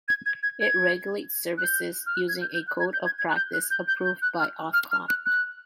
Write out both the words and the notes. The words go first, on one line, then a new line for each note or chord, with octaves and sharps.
It regulates services using a Code of Practice, approved by Ofcom.
G#6
G#6
G#6
G#6
F#6
G6
F6
F#6
G#6
G6
G6
F#6
G#6
G6
G#6
G#6
F#6
G6
F#6
G6
G6
G6
F#6
F6
F6
F6
F#6
F#6